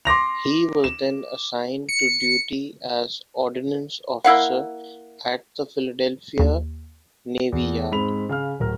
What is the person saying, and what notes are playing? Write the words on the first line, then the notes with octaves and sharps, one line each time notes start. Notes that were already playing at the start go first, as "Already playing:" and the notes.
He was then assigned to duty as Ordnance Officer at the Philadelphia Navy Yard.
C6 D6 A#6 F7
E7
C#7
A#3 E4 F5 F#5
D#2
E2
G#2 C4 B5 F7
C#3 F5 F6
D1 F#3 A#4 F6